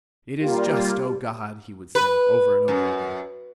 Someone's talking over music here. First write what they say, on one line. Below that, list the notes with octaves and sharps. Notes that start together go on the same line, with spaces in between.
"It is just, O God!" he would say, over and over again.
G3 A#3 F4 G4
B4
F#2